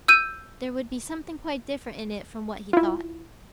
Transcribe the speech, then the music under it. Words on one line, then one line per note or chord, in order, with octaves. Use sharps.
There would be something quite different in it from what he thought.
E6 G6 D#7
E4 F4